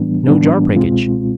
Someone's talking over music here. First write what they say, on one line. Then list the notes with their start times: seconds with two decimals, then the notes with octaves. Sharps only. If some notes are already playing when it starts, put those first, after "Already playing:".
No jar breakage.
Already playing: A2 E3 G3 B3 D4
0.27 A2 E3 G3 B3 D4
0.76 C#2 B2 G#3 C4 F4